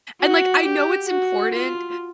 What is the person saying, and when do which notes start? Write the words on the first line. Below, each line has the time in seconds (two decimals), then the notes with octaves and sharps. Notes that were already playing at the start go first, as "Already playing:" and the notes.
and, like, I know it's important,
0.20 F#4
0.64 G4
1.08 F#4
1.52 F4